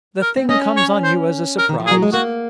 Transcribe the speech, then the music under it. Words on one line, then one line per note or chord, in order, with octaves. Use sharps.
The thing comes on you as a surprise.
A#4
C4
C#4 D#5
C#5
C5
A#4
D#3
F3
G#4
F#3
G#3
A#3 F#4